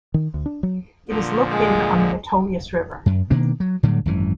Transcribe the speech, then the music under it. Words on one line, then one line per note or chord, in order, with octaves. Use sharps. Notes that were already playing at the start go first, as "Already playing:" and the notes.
It is located on the Metolius River.
D#3
D2
D4
F#3
A#2 D3 F3
G#3
F#2
B2 D#3 A#3 D4
F#3
A2 D3 F#3 G3
G#1 F#2 E3